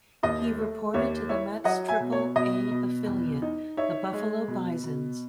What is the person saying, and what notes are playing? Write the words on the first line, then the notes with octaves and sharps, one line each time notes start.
He reported to the Mets' Triple A affiliate, the Buffalo Bisons.
D#2 D#5
A3
D#2 C#5 E5
E4 C#5 E5
F#3 D#5 F#5
E5 G#5
B2
C#5
B2 D#5
B2
E2
D#4
D#4 C#5 E5
G#3
B2
B2